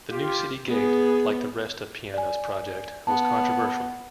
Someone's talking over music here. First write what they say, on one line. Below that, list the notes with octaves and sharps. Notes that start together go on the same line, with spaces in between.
The new city gate, like the rest of Piano's project, was controversial.
F4 G4
B3 G#4
D5 G#5
B3 A5